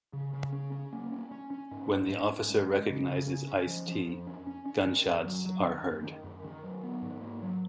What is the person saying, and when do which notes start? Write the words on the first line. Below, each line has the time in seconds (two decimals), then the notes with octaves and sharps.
When the officer recognizes Ice-T, gunshots are heard.
0.13 C#3
0.34 C#3
0.52 C#4
0.72 C#4
0.93 A#3
1.12 C#4
1.31 C#4
1.51 C#4
1.71 G#2
1.90 G#2
2.10 G#2
2.30 C#4
2.50 G#3
2.69 G#3
2.89 C#3
3.09 C#3
3.28 C#4
3.48 C#4
3.67 F3
3.88 F3
4.07 F2
4.27 C#4
4.47 C#4
4.66 C#4
4.86 D#3
5.06 F#2
5.25 F#3
5.46 F#3
5.65 D#3
5.84 F#2
6.04 D#3
6.24 F#2
6.44 D#3
6.63 F#3
6.83 B3
7.02 G#2
7.22 A#3
7.42 F#3